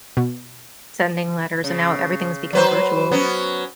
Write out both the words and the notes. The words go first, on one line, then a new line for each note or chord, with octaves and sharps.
sending letters, and now everything's become virtual.
B2
C#3
F#3 B4 C5
F#3 B3 C#4